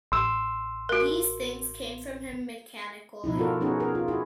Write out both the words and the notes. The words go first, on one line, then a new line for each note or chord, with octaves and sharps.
These things came from him mechanically.
A1 C6 E6
F#4 A#4
B2 F3 D#4 E4
D4 F4 F#4 A4 A#4
B3 C#4 D#4 F#4 G#4
G#4 A#4
F4
E4 F#4 G#4